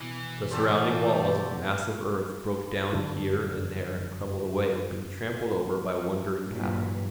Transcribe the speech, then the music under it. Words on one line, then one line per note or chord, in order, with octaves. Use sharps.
The surrounding walls of massive earth broke down here and there and crumbled away, being trampled over by wandering cattle.
B2 E3
F#4 G4 A4 C5 D5 G6
F#2 D3 D4
G2 A#2 E3 F#3